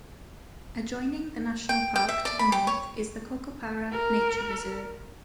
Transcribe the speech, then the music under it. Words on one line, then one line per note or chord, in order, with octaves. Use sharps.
Adjoining the national park to the north is the Cocoparra Nature Reserve.
G5
G5
E5
D5
B5
G5
C#5
A#4